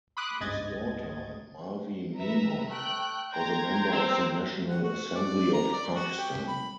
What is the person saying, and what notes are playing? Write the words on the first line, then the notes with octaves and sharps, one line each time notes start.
His daughter, Marvi Memon, was a member of the National Assembly of Pakistan.
B5 C6 D6 D#6 F#6
G1 C#2 G#2 D#5 G#6 A6
B4 E5 A#5
A3 G5 F#6
G5 A#5 C6 G#6
C4
F#5
F#4
D5
A#5
D5
F#4
G4
B5